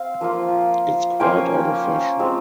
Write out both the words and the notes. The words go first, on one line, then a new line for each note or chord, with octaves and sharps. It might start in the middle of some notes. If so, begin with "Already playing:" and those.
It's quite out of fashion.
Already playing: C4 F5
F3 A#3 F4
F3 A#3 C#4 F4 G5
G#3 C4 F4